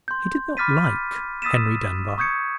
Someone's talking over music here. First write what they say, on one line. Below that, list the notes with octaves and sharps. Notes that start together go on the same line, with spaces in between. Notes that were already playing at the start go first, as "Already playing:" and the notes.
He did not like Henry Dunbar.
C6 G6
B5 D6 F6 A6 B6 D#7
D#6 E6 A6 B6 D#7 E7
C#6 D#6 G6 G#6 C#7